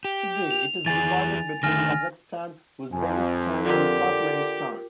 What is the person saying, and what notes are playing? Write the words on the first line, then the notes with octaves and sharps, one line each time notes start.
Today it is divided between Kazakhstan, Uzbekistan and Turkmenistan.
G4
F7
E3 G#4 G#5 A6
D3 D#3 A3 G#5 F6 A#6
F2 G#5
D3 F4 G4 A#4 D6